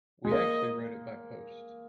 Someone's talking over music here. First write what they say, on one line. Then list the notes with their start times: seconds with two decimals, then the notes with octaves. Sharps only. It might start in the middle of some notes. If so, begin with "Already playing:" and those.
We actually wrote it by post.
0.25 G#3
0.31 A#3 D#5